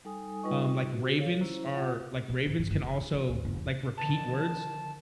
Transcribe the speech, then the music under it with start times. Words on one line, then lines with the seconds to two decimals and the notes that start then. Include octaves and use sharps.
um, like, ravens are like, ravens can also, like, repeat words?
0.05 G3 D#4 A4 G#5 D#6
0.43 G3 D#4 F4 B4 D#5 C#6
0.93 F#4
1.17 A4 C#5 F5
1.41 C#4 E4 C5 A#5
1.72 F4 F#5
2.29 B2
2.46 A1
2.59 G2
2.70 F#1
2.83 F2
3.01 D#3
3.14 F3
3.29 D2
3.45 F#1
3.56 E2
3.97 D3 D#3 F3 A5